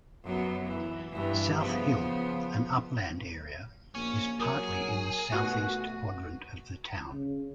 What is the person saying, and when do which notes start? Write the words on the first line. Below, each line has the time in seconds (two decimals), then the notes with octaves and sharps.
South Hill, an upland area, is partly in the southeast quadrant of the town.
0.24 F#2 F#3 B3
0.65 E3
1.12 G2 E3
1.58 C#3 F3 B3
3.95 A#1 A#3 C#4
4.40 F#3 G#4 A#4
5.32 B2 A3 F#4
7.13 C#3